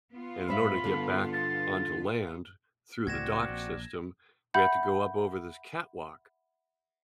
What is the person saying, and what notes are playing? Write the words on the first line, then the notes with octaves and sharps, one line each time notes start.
and in order to get back onto land through the dock system, we had to go up over this catwalk,
B3 F4
G#2 E5 F5 B5
G2 D3
A6
C#2 A2 C4 F#4 D5 G#6 A#6 E7
A#1
E5 F#5 B5 G6